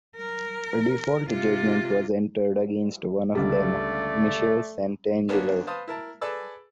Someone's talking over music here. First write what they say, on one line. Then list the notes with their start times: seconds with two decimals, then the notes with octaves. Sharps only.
A default judgment was entered against one of them, Michelle Santangelo.
0.16 A#4
1.29 C3 F4
3.35 G1 C#2 G3 A3 D5
5.29 D3 G3 A#3 B3 C#4 D4
5.67 B4 C5 F5 A5 D#6
5.88 E4 A#4 A5
6.21 G#4 A4 B4 D5 A5 E6